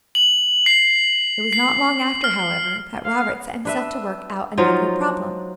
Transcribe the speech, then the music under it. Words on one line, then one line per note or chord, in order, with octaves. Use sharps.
It was not long after, however, that Robert set himself to work out another problem.
F#7
C7
C7
F6
F5
D4 B4 E5
F3 F#3 D#4 F4